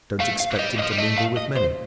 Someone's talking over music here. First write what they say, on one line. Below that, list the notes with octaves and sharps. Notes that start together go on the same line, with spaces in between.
Don't expect him to mingle with many.
A3 F5
F5
G3 D#5
D#5
F3
G3
A3 D#5
F5
D#5
C5